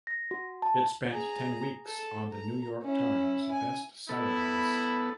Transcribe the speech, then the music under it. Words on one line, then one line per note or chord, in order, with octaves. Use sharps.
It spent ten weeks on "The New York Times" Best Seller list.
A#6
F#4
A5
G#4 A#5
A4
A#5
C#4 E4
G#5
B3 E4 A4